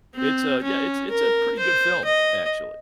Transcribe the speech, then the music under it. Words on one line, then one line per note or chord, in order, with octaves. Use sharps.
it's a yeah, it's it's a pretty good film, actually,
C4
C#4
A#4
C5
D#5